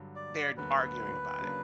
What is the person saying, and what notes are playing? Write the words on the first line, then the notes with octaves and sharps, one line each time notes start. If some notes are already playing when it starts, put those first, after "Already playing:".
they're d arguing about it.
Already playing: G2 D3 F#3
D5
D2 D3 F#3 A#3 B4
C#3 F#3 A#3 D4